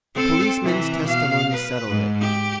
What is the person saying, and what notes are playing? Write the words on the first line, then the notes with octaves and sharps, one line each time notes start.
The policeman's testimony settled it.
C4 A4
C3 E3
B2 F5
B4
G#2
G4